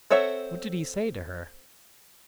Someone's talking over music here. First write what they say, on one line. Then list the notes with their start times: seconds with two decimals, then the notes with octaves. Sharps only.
What did he say to her?
0.11 C4 A4 C#5 E5 F#5